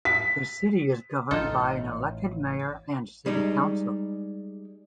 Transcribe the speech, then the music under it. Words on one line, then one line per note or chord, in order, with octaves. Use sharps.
The city is governed by an elected mayor and city council.
B6
A1 D#4 F4 A4
G3 G#3 D#4